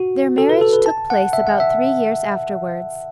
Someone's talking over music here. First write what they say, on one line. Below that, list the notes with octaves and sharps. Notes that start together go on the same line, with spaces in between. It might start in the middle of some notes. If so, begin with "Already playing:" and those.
Their marriage took place about three years afterwards.
Already playing: F#4
A4
B4
A4
B4
A5
F#5
E5
F#5
E5